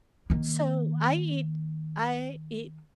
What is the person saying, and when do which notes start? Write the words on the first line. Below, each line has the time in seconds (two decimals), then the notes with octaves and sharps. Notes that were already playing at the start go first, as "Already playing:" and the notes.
So, I eat I eat
0.30 D#3 A#3